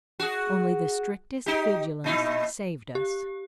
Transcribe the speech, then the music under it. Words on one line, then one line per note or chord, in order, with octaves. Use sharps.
Only the strictest vigilance saved us.
F#4 G#4
D#4 G4
A#2 D#4 E4
G4